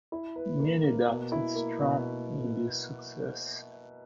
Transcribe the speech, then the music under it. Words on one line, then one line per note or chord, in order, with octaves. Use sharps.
Many doubted Strawn would be a success.
E4
B4
A#3
A#3
B2
E4
A#3
B2